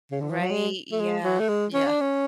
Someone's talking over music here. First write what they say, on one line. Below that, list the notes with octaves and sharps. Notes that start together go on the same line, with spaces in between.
Right, yeah, yeah.
C#3
D3
E3
F#3
G#3
A3
G#3
F#3
A3
G#3
C#4
D4
C#4